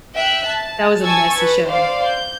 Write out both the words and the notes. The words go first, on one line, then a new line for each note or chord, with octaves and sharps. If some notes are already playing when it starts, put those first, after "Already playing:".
That was a messy show.
E5 G5 F#6
A5
G#5 A5 C#6 E6 G#6
B4
C5 D5 F5
G6